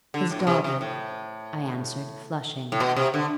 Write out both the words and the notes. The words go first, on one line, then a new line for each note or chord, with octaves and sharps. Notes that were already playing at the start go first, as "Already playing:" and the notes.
'His daughter,' I answered, flushing.
D3
A2
B2
C3
C3
A2
A2
B2
C3
D3